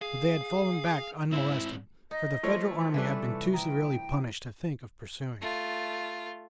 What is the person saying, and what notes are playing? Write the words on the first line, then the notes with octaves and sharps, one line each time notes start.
But they had fallen back unmolested, for the Federal army had been too severely punished to think of pursuing.
G#4 F5
G#2 C4 E4
D#4 D#5
F3 A3 C5 C#5 C6
C3 E3 G3 D4 A4 B4
G5 A#5 D#6
A3 F4